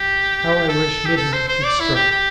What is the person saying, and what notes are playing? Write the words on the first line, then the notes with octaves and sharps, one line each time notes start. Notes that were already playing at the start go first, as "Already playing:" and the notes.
"How I wish midnight would strike!"
Already playing: G4
A4
G4
A4
C5
C5
D5
E4
G4
G4